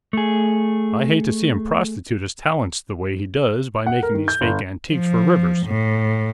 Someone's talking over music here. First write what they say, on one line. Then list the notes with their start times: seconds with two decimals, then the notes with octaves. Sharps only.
I hate to see him prostitute his talents the way he does by making these fake antiques for Rivers.
0.13 A3 G#4
3.86 F#5
4.03 A#4
4.14 D#3
4.28 G6
4.41 G1
4.92 F3
5.67 A2